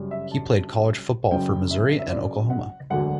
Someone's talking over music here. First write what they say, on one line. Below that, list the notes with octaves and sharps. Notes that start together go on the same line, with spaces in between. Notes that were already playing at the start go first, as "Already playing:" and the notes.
He played college football for Missouri and Oklahoma.
Already playing: G1 F#2 C#3 G3
E5
A5
F#1 F#2 C#3 G5
E5
E5
D5
F#5
E1 D2 D3 F#3 F#5